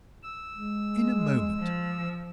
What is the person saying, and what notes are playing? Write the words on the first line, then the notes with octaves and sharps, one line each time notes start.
"In a moment."
E6
G#3
F3